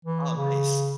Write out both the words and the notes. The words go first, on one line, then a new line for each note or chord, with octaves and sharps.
Oh, nice.
E3
C#3